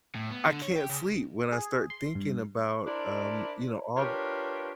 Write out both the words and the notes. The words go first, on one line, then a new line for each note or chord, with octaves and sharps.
I can't sleep when I start thinking about, um, you know, all
A2
B3
D3
C#5
G4
C#3
G#4
C6
G2
D4 E4 A#4 C5 D5
D4 F4 G4 A#4 B4 C#5